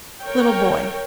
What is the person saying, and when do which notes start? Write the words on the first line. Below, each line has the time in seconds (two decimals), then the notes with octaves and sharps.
Little boy.
0.23 A#4 C#5 G5